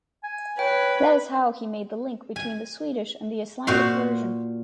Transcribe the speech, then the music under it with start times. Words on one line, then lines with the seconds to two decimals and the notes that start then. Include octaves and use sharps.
That is how he made the link between the Swedish and the Icelandic version.
0.23 G#5
0.59 B4 C#5 G5
2.36 G#5
3.67 A#2 F#4 C5 F5 C6